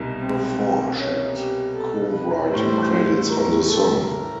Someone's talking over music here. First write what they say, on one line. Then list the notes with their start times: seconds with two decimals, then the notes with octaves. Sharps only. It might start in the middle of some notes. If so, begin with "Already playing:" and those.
All four shared co-writing credits on the song.
Already playing: C2 B2 G3 A#3 D#4
0.21 C4
0.97 C#4
1.36 G4
1.74 A4
2.12 B4
2.51 A2 E3 G3 C5
3.28 A#4
3.66 A4
4.04 A#4